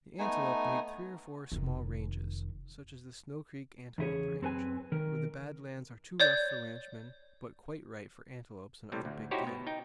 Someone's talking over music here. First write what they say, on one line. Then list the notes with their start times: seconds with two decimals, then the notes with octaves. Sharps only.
The antelope need three or four small ranges, such as the Snow Creek Antelope Range, where the bad lands are too rough for ranchmen, but quite right for antelopes and other big game.
0.19 A3 B3 D#4 G#5
1.52 F1 D#3
3.98 E2 C#3 E4 G#4 C#5
4.42 F#2 C4 A4 B4 G#5
4.92 D#3 A#4
6.20 C#5 D5 G6
8.92 A2 C3 G3
9.05 D2
9.31 D#4 E4 F#4 G4 C5 C#5
9.47 B2
9.67 D#4 G5